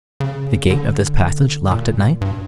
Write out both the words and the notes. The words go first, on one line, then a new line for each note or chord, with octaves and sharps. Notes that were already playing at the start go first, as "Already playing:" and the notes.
"Is the gate of this passage locked at night?"
C#3
D3
A#2
G2